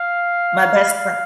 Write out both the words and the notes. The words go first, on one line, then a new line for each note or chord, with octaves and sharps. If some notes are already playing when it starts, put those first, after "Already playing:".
My best friend
Already playing: F5
F5